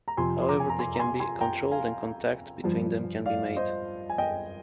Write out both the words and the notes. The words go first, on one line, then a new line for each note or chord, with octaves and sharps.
However, they can be controlled, and contact between them can be made.
A#5
F2 C3 F3 G#5 C6
C6
A#5 D6
G#5
A#5
G#5 C6
A#5
G#5 C6
G#5 C6
G5 A#5
F5 G#5
G2 F3
D5 F5
C5 D#5
G#5
D#5 G5